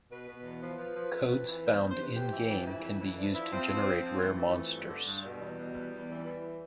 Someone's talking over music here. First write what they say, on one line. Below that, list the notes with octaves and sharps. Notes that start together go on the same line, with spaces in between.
Codes found in-game can be used to generate rare monsters.
B2 B4
B2
E2
F3 B4
F3
F3
F2
F2
E3
E2 C5
E2
C5
C3 B4
F2 G4
E3
F2
E3 E4
F2
E3
F3 D4
F3 E4
F3 C4
F3
F3
F3
E3 A3
E3
F2
G2
D3
G2
B2 G3
E2
B2
E2
E2
E3
E3